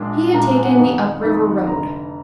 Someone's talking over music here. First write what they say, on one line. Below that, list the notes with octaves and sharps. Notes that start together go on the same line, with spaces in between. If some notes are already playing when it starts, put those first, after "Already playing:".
He had taken the up-river road.
Already playing: A#1 A#2 G#3 D4
A#1 A#2 G#3 D4 A#5
G#5
F#5
G#5
F2 D#3 A#3 D#4 F#5
F2 D#3 A#3 D#4
F1 F2 D3 A#5